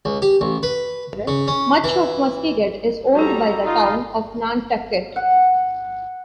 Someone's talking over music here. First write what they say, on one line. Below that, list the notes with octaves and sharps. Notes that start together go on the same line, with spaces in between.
Much of Muskeget is owned by the town of Nantucket.
C#2
G4
A1
B4
C#3
C#4
E3
G3 F#4 A4 A#5
D#4 F4
F#5